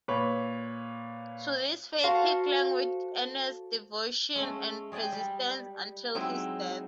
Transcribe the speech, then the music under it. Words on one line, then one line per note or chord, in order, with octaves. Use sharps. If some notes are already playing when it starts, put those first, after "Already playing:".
To this faith he clung with earnest devotion and persistence until his death.
A#2 B4 C#5
F#4 A4 C5 F5
G#3 A3 C#4
G#3 G#4 D5 G5 G#5
G3
F#3 G#3 C4 D#4 E4